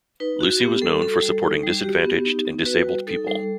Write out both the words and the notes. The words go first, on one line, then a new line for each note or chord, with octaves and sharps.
Lucy was known for supporting disadvantaged and disabled people.
D#4 B4
F#4
B3 G4
G3 A4
F#4 A4
G3
D#4
G3
F#4 G4
B3
D#4
B3
F#4 B4
G3
D#4 A4
G3